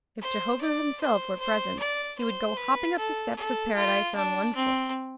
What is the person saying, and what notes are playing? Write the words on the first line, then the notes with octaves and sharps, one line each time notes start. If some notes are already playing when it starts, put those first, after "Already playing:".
If Jehovah himself were present, he would go hopping up the steps of paradise on one foot.
C5
D5
C5
C5
D5
C5
B4
A4
A4
F4
D4
C4